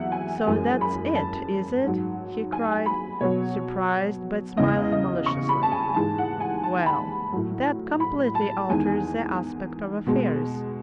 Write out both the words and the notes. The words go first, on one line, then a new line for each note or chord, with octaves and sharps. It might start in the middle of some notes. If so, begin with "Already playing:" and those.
So that's it, is it?" he cried, surprised but smiling maliciously. "Well, that completely alters the aspect of affairs.
Already playing: E2 F#3 E5 F#5
G#5
F#2 E3 G#3 G#5
B5
A5
G#2 F#3
G#5
B5
B2 F#3 C#5
E2 C#3 E3 D#5
D#5
C#6
B5
A5
G#5
G#2 E3 G#3 A5
F#5
G#5
A5
B5
A2 F#3
B5
A5
E2 D#3 G#3 G#5
B2 G#3